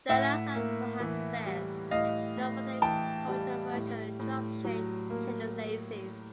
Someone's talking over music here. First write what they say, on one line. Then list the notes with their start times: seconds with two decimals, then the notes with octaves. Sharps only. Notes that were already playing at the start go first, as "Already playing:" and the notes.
The Alliance are perhaps best known for their controversial job-share candidacies.
0.09 A2 E5 F#5
0.55 A#3
1.00 E3
1.46 G3
1.91 A2 D#5 F5
2.37 A2
2.82 E3 G5 A5
3.28 G3
3.74 A2
4.20 A2
4.64 F#3
5.10 A#3